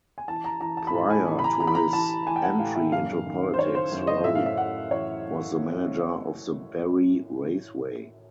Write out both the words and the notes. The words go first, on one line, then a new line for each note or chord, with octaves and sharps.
Prior to his entry into politics, Rowe was the manager of the Barrie Raceway.
G#5
E3 A5
A#5
E3 A#5
A5
B5
A2 A#5
G#5
E3
B5
A#5
E3 A#5
B5
A#5
E3 A5
E3 G#5
G5
F#5
A2 F5
E5
F#2 F5
D#3
C5
D#3 C#5
C5
F#2
D#5
A2 E5
F5
E5
A2 F#5
E3 C#5